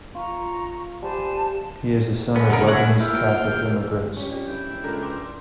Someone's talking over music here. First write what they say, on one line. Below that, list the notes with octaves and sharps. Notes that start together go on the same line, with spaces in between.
He is the son of Lebanese Catholic immigrants.
F4 A#5 C#6
G3 C5 G#5 A5
D3 G#3 B3
D2 C#3 A#4
E4 G#4 C#5 F#5
A#3 E4 F4 A#4 G5 F6 G6
G1 C#4 G4
F2 D5
G2 E4 G5 G6
E1
C#2 D4 A4 A#4
B4 C6 D6